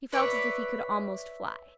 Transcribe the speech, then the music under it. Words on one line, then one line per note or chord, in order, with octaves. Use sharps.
He felt as if he could almost fly.
B4 C#5 D5 E5